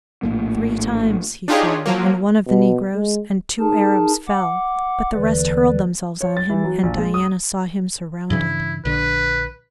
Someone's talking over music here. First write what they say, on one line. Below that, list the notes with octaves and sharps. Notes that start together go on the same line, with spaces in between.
Three times he fired and one of the negroes and two Arabs fell, but the rest hurled themselves on him, and Diana saw him surrounded.
A#1 A2 A#3
D4 D#4 F4 G4 G#4 C#5
F3 F#3 A#3
B2
G#3
D#4 G#4 A#4 A5
F#5 D6
D#2 D3 E3 B4 D5
C#5
A6
E3
F#3
A#1
G#3
D#6
G2 C#3 E3 E4
A#1 D3 B4